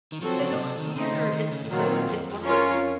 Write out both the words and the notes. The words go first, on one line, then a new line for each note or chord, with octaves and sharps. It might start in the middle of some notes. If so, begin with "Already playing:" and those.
I don't either. It's so it's one of the
D#3
F3 F#3 C4 F#4 A4
C#3
A#2
C3
D#3
C#3 A3 C4 D#4
D#3
D#3
C#3
A2
A#2 D#3 F#3 C4 F4
F2
F2
C#4 F4 A#4 C#5